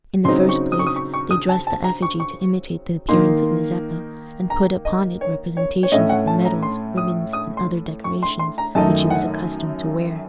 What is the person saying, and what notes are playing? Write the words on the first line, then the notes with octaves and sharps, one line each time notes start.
In the first place, they dressed the effigy to imitate the appearance of Mazeppa, and put upon it representations of the medals, ribbons, and other decorations which he was accustomed to wear.
C#3 F#3 C4 D#4 C6
C#6
D#6
C#6
D#6
C#6
C#6
D#6
A5
A5
A#5
C#6
C#6
D#3 A#3 D#4 C6
A#5
D#5
C#5
C#5
C#5
A2 A3 C#4 D#5
F#5
A5
A#5
C6
D#6
D#6
C6
C#6
C6
C6
A#5
F#2 D#3 A3 D#4 A5
F#5